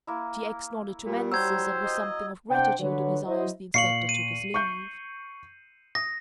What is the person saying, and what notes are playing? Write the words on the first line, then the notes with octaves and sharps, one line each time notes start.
T. X. nodded to Mansus and with something of gratitude in his eyes the inspector took his leave.
A#3 E4
A#2 G3
F#3 G4 C5 E6 G#6
D#5
C3 D4 C5 F#5 G5
D3 F#3 B4 C#5
F#3 E4 C5 D#5
A#2 F5 C#6 C7 C#7 F#7
D#7
C#6 G6
D#6 A#6